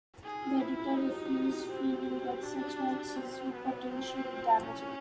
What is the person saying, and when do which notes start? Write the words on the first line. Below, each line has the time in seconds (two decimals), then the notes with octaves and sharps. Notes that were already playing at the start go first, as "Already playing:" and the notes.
The editor refused, feeling that such hoaxes were potentially damaging.
0.23 D#4 G#4
0.38 F4
0.42 E4
0.60 E4 F4
0.78 G4
0.97 D#4 F#4
1.07 G4
1.16 F#4
1.26 G4
1.35 F#4
1.44 G4
1.55 F#4
1.64 G4
1.69 C4 F#4
1.83 G4
1.93 F#4
2.03 G4
2.12 F#4
2.22 G4
2.31 F#4
2.41 D4 G4
2.51 F#4
2.60 G4
2.70 F#4
2.79 G4
2.88 F#4
3.16 C4
3.53 B3
3.89 C4 F4
4.18 F#4
4.26 F4
4.62 C#4 E4